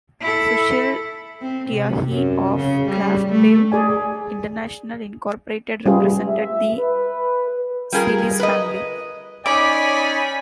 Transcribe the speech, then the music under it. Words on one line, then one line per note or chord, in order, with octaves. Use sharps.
Sushil Tyagi, of Craftbev International Incorporated represented the Celis family.
E4 A4
C4
C3
F#2
C#3
G3
A3
G#4 D5 G#5
G3 C#4 F4 G4 G#4 B4
E5
B4
G3 F4 G#4 A#4
B4 D#5
C#4 D#4 C#5 D5 G#5 B5 D6